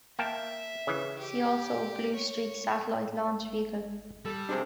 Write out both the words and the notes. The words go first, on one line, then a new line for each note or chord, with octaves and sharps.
See also Blue Streak Satellite Launch Vehicle.
A#3 E5 G5 A5
C#3 E3
G4
C#5
G3 A4
C3 C4 D4 G4 G#4 C5